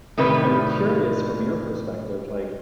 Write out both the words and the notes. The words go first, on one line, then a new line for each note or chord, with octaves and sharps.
I'm curious from your perspective, like,
A2 C3 D#3 G3 B4